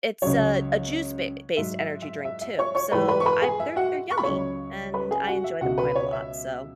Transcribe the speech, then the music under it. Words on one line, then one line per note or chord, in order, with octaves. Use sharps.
It's a a juice ba based energy drink too, so I they're they're yummy, and I enjoy them quite a lot, so
C#2 C#3 F#3 C#5
G#2 F#3 E5
E5
E5
E5
E5
C#5 C#6
C#5 C#6
G#2 E3 G#3 B4 B5
B4 B5
C#6
B4 B5
G#4 G#5
E5
F#4 F#5
C#6
B5
C#2 C#3 F#3 C#5 C#6
B4 B5
G#4 G#5
F#4 F#5
E5
C#2 B2 G#3 F#4 F#5
B4 B5
C#5
E5